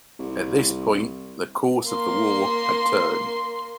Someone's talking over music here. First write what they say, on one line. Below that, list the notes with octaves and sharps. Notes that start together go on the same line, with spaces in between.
At this point, the course of the war had turned.
C2
A#3 C6